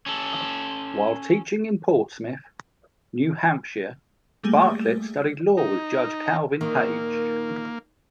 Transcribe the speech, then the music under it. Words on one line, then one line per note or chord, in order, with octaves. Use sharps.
While teaching in Portsmouth, New Hampshire, Bartlett studied law with Judge Calvin Page.
C#4 A4
G3 A3 A#3 G4 G#4
D#4
A#2 D#3 A#3